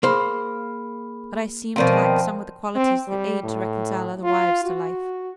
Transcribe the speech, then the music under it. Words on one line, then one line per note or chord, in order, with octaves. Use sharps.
But I seemed to lack some of the qualities that aid to reconcile other wives to life.
A#3 G#4 C5 B5
B2 D#3 F3 C4 D5 F5
C4
G3
A2
F4
F#4